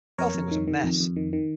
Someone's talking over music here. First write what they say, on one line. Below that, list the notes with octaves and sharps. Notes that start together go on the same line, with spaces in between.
The whole thing was a mess.
F2 A#4 C#5
F2
D#3
D#3
F2
F2
D#3
D#3